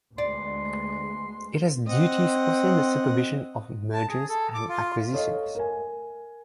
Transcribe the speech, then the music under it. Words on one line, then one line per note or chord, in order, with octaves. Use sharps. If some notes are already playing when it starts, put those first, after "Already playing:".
It has duties also in the supervision of mergers and acquisitions.
D2 G#3 B3 D5 C6
C4 D#5 F#5
A5
G#4
A4
D6
F4
A4 C#5 D#5 F5
A#4 G#5